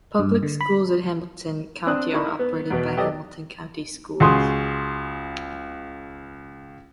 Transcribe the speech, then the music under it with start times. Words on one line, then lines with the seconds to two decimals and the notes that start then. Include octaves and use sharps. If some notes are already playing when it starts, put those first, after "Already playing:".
Public schools in Hamilton County are operated by Hamilton County Schools.
0.19 G2
0.43 D3
0.61 B5
1.87 C4 D4 D#6 F#6
2.14 D#4 E4 A#4 B5 C#6
2.39 B3
2.70 E2 B2 B3
2.97 F#3 B3 G4 A4 D5 D#5
4.20 C#2 F#4 G#4 C6 D#6